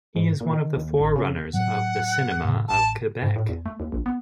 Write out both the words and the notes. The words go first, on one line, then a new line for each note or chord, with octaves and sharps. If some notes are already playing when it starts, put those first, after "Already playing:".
He is one of the forerunners of the Cinema of Quebec.
G#2
A#2
D#3
D#2
A1
C#3
A2 F#3 C4 F#5
A2 C#3
A1 A5
G#2
A2
E2
A3
D#2
A#1
B3